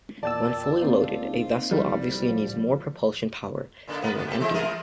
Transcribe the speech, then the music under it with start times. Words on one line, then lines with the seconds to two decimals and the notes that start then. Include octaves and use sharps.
When fully loaded, a vessel obviously needs more propulsion power than when empty.
0.23 E2 A#2 D5 G5 A5 E6
0.82 C#2 A#3 C4 D#4 F4
1.71 C2 G3
2.28 A2 F3
3.88 A#2 C#3 A#3
4.02 B3 A#4 B4
4.15 C#3
4.27 G4 A4
4.40 E3 G#3 E4
4.54 G3 F4 A#4